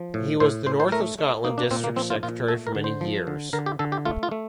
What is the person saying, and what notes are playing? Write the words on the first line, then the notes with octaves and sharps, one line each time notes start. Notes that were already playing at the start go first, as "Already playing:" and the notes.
He was the North of Scotland district secretary for many years.
Already playing: F3
A2
A2 C5
A2 C5
C5
A3 A#4
A3
A#3 D#4
D4
A#2 C4
A#3
F3 C4
F4
A#2 F4
A3 A4
A#4
D3
C5
F3
D3
D3 A#4
G4
D3 A4
G4
A3 F4
F4
A3